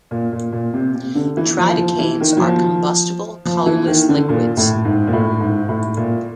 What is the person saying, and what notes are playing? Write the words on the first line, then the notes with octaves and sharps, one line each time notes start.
Tridecanes are combustible colourless liquids.
A#2
A#2
A#2
C3
C3
D3
E3
F3
F3
E3
D#3
F#3
F3
F3
E3
D#3
D3
A#2
A2
G#2
A#2
A2
G#2
A2
A#2